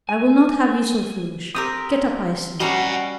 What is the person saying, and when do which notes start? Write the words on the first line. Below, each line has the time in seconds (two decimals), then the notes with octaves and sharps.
I will not have you so foolish. Get up, I say.
0.09 G#5
1.55 C4 G4 A#4 D#6
2.05 D4
2.60 G3 C#4 F#4 D#5 F#5 A#5